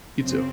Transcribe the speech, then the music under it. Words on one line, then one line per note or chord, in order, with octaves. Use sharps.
You, too.
F#2 C#3 C4